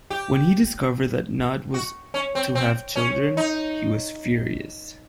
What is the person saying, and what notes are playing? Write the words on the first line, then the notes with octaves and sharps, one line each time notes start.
When he discovered that Nut was to have children, he was furious.
G4
F#4
C#4
C4
C4
C#4
D#4